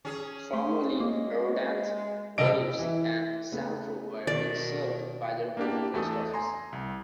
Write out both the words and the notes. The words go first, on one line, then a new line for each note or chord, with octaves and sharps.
Formerly Rodanthe, Waves and Salvo were each served by their own post office.
C#4 G#4
A3 C5
G#3 A#3
F#2 C3 G3 A4 D#5 D7
E3 E5
C#3 A3 B3
B2 D#3 D5
A#3 B3 D4 E4 G4
E2 A3 A4 D#6
G#5 A#5 C6
C2